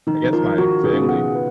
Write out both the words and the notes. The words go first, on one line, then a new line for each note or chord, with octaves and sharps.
a I guess my family
D#3 D#4
D#3
F3 A#4
D#3 F#4
D#3 G#4
C#3
B2
C#3 F#5
B4